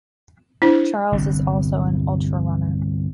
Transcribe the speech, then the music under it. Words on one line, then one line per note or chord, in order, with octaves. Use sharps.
Charles is also an ultrarunner.
D4 E4 C5
G1 C2 G2